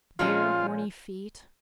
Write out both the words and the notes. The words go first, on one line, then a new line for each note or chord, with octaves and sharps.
Bare, horny feet.
A#2 F3 G#3 C#4 F4